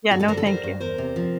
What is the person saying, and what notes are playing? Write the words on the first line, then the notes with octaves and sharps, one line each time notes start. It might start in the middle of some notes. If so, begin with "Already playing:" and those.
Yeah, no, thank you.
G2 F#4 G#4
A4 B4
D3 A#4 C5
A4 B4
G3 A#4 C5
G2
E2 A#4 C5
C3
F3